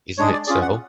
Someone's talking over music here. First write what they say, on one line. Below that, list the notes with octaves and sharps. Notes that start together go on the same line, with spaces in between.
Isn’t it so?
G#3 D4 G#4 C#5
D5
C#4 F4 G#4 D5
F#5